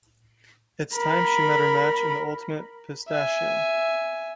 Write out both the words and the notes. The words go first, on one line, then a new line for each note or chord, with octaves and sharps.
It's time she met her match in The Ultimate Pistachio.
A#4 B5
E5 G#5